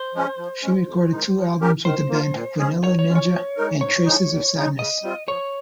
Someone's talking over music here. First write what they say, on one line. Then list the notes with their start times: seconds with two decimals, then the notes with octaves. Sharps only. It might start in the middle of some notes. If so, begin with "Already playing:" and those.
She recorded two albums with the band, "Vanilla Ninja" and "Traces Of Sadness".
Already playing: C5
0.15 F3 G#3 C#4
0.38 F3
0.63 G#3 C#4
0.87 F2
1.12 D#3 G#3 D#4
1.37 F3
1.61 A#3 C#4 G4 A#4
1.85 D#3 C5
2.09 A#3 F4
2.34 A#2
2.58 G#3 C#4 G#4
2.83 D#3 C#5
2.99 C#5
3.08 G#3 C#4 F4
3.15 C#5
3.32 F3
3.57 G#3 D#4 A#4
3.81 G#2 C#5
4.05 F3 G#3 D#4
4.30 D#2
4.54 C#3 F3 G#3 D#4
4.79 C#3 D#5
5.03 G3 C4 F4
5.27 F3 C#5